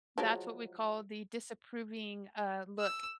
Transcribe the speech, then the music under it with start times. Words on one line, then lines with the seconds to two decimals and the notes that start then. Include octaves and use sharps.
That's what we call the disapproving, uh, look.
0.18 F3 F#3 G#3
2.79 E6